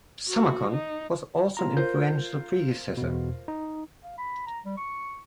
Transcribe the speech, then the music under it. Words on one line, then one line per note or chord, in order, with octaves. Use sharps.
Summercon was also an influential predecessor.
F#4
D#4
F4 A#5
F4 A#4 C5 G6
E2 B2
D#4
F5
B5
A#5
G3
C#6